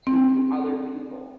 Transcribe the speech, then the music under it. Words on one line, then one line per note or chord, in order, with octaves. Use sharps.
to other people
C4